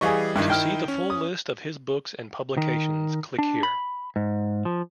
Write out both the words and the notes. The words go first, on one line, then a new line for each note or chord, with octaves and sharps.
To see the full list of his books and publications click here.
E3 G3 G#4 D#5 F5 C#6
G2 D#3 D#4 E4
G5 F6
C#4
D#6
D#3
D4
B5
G#2
F3